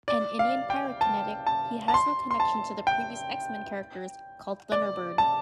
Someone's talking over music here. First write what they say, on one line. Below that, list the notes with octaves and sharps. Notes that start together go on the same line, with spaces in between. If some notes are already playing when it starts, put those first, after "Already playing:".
An Indian pyrokinetic, he has no connection to the previous X-Men characters called Thunderbird.
D5
F5
G5
A5
A5
A5
C6
C6
A5
G5
D5
A5